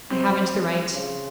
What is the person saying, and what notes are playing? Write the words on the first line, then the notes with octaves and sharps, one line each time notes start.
I haven't the right.
C3 C4
C#3